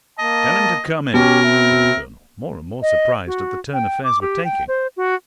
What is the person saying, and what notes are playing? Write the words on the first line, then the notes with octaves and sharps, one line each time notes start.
"Tell him to come in," said the colonel, more and more surprised at the turn affairs were taking.
A#3 D#5 A5
B2 C#4 G4 A#4
C4 E5
D#5
F#4
G5
D6
G4
G5
C5
F#4